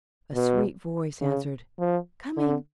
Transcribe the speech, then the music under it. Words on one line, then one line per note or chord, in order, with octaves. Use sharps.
A sweet voice answered, "Coming!"
B2
C#3
F3
D3